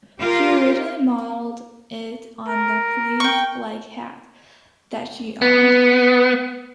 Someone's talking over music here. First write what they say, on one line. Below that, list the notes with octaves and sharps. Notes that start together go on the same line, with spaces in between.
She originally modeled it on a fez-like hat that she owned.
F4 G4 A#4
A#4
G5 C#6
B3